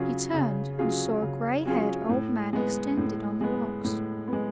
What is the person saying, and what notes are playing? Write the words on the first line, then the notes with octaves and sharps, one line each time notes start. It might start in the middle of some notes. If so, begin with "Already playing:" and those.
He turned, and saw a gray-haired old man extended on the rocks.
Already playing: C#3 F#3 C#4 F4 G#4
C#3
F#3 C#4 F4 G#4
C#3
F#3 C#4 F4 G#4
A2
G#3 B3
A2
G#3 B3
A2
G#3 B3